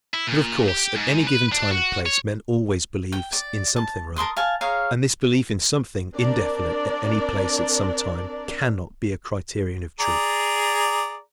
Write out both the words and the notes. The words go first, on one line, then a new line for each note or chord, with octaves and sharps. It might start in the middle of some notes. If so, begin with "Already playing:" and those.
But of course at any given time and place men always believe in something or other; and this belief in something, indefinite at any place, at some time, cannot be a criterion of truth.
E4
A#2
G4
G#2
B4
D4
F#4
C#5
G5
D5
A5
A#4 A5 C6 D#6
F5 G#5 A5
G#4 C#5 F5 A#5
C4 D4 A#4 D5
G#4 D5 A#5